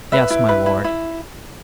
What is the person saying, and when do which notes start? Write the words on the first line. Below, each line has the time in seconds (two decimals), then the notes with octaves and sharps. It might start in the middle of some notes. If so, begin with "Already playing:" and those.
"Yes, my lord."
0.12 B4 E5
0.30 E4
0.49 B4
0.66 E4
0.84 E4